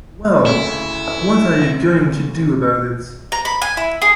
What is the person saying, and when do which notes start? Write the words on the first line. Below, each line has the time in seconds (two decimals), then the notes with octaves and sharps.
Well, what are you going to do about it?
0.46 D2 C#3 E4
3.32 A#5
3.45 B5
3.62 G#5
3.77 E4
4.02 G#4